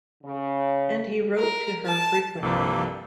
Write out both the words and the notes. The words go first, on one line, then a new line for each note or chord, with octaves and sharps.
And he wrote to her frequently.
C#3
A#4
A5
C2 G2 F3 A#3 G4 A4